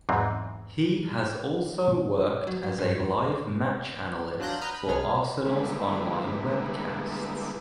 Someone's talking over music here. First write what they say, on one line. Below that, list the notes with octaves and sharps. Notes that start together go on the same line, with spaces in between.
He has also worked as a live match analyst for Arsenal's online webcasts.
E2 G#2 E3 F#3 G#3 C4
F#3
F#3
G2
F2
F#3 D4 F4 F#6 G6 A#6
B4 A#5 D#6 F6 G6
B5
C2 B3 G#4 F6
D3 G3 G#3 A#3 B3 E4